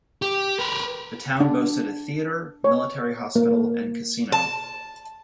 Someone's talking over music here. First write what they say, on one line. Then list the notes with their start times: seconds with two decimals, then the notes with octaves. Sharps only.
The town boasted a theater, military hospital, and casino.
0.22 G4
0.59 A#4 B4
1.40 D4
2.64 C#5
3.36 A#3
4.32 A5